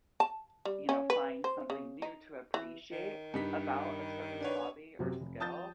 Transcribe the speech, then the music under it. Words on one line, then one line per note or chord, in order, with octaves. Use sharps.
you know, find something new to appreciate about a certain hobby or skill.
A5
G3
C#4
B4
C5
C#3
D#4
E3
D#3
G2 D#4 B6
D4 B4 C#5
F#2 C3 F#3
F1
F3 A5 D#6 G6 A6